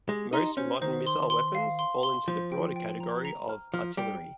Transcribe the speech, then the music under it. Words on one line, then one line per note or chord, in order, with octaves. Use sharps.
Most modern missile weapons fall into the broader category of artillery.
G#3 G4
D#4 C6
C#4 C5
D#3 C5
C6
C6
F5
C6
C6
F3 C5
G5
G5
A#5
A#5
F6
F3 F6
G3 G5